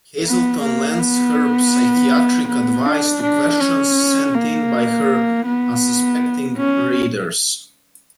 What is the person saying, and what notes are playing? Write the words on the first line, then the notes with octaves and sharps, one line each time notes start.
Hazelton lends her psychiatric advice to questions sent in by her unsuspecting "readers".
B3
A#3
B3
B3
D4
D4
C#4
A#3
B3
C#4